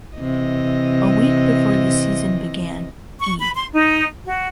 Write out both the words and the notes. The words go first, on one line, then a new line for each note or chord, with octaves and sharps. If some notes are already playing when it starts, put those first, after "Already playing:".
A week before the season began, E!
C3 E3 D#5
C#6
B5
C6
D#4
F#4